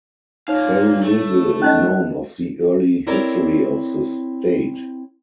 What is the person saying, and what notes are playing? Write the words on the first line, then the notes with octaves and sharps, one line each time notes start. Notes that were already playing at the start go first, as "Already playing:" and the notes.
Very little is known of the early history of the state.
A#2 D#4 C#5 F5
A3
C#4 D#4 D#5 F#6
C4 E4 A4 A#4 C#5 D5